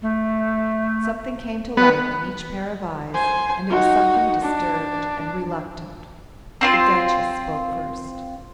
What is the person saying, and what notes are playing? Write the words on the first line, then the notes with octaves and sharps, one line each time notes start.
Something came to life in each pair of eyes and it was something disturbed and reluctant. The Duchess spoke first.
A3
B3 B4
C5 G#5
D#4 F#4
D4
C4 F4 C6